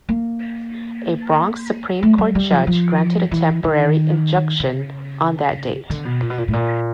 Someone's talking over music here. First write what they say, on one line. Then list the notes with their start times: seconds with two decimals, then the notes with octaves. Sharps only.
A Bronx Supreme Court judge granted a temporary injunction on that date.
0.09 A#3
2.03 A3
2.18 G3
2.35 G3
2.51 F3
2.67 F3
3.31 E3
3.64 D#3
4.60 C#3
5.90 D3
6.05 B2
6.22 A#2
6.30 B2
6.38 A#2
6.48 A2
6.53 A#2